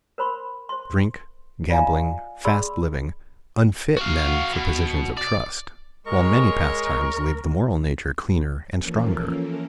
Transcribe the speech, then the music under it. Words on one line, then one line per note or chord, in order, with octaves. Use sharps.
Drink, gambling, fast living, unfit men for positions of trust, while many pastimes leave the moral nature cleaner and stronger.
A#4 C5 B5 C6
C5 C6
F4 D5 D#5 F5 G#5 A#5
D#4 G#4 D5 B5 C6 E6
F#4 F5
B2
D5
G#3 A#4 C#5 C#6
E3 F3 A#3 C#4 A4 A#4